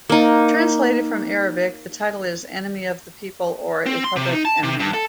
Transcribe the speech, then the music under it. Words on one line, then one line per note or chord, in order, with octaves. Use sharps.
Translated from Arabic, the title is "Enemy of the people" or "A Public Enemy".
A#3 D#4
C4
C6
C3
D#4
A5
C3
G2
A4